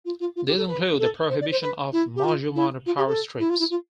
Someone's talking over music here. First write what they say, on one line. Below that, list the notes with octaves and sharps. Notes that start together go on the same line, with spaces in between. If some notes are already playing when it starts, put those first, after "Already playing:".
These include the prohibition of module-mounted power strips.
F4
F4
F4
G4
A4
B4
A4
C5
D5
C5
B4
E4
G4
F4
E4
F4
G4
A4
E4
F4
E4
F4